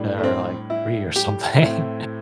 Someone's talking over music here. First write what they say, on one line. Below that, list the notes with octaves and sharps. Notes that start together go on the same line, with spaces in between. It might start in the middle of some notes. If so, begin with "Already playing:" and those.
that are, like, free or something,
Already playing: A2 G3 D4
A3
C4
E4
G4
A2 A3 C4 E4